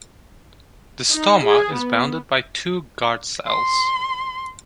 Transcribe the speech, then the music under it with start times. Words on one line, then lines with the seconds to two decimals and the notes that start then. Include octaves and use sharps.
The stoma is bounded by two guard cells.
1.12 D#4
1.45 G#4
1.75 B3
3.48 C6